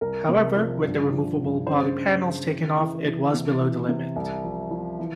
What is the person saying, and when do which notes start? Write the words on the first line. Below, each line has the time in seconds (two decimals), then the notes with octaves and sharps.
However, with the removable body panels taken-off it was below the limit.
0.01 C2 A#4
0.29 C3
0.56 F3
0.84 G2
1.12 F3
1.40 G2
1.67 C#3 C5
1.95 C#3
2.23 C#3
2.51 E3
2.78 E3
3.05 E3
3.34 C3
3.60 E3
3.89 C3
4.16 C2
4.44 F3
4.71 F3
4.99 E3